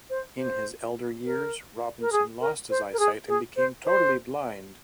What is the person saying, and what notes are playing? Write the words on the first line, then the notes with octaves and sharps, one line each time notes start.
In his elder years, Robinson lost his eyesight and became totally blind.
C5
C5
A#4
A#4
G#4
A#4
C5
A#4
G#4
G#4
C5
C5